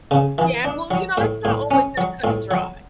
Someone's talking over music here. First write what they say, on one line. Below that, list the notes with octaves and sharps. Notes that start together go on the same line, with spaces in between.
Yeah, well, you know, it's not always that cut-and-dry.
C#3
E3
D4
F#3
A2
A2
C#4
F#3
A2
F#3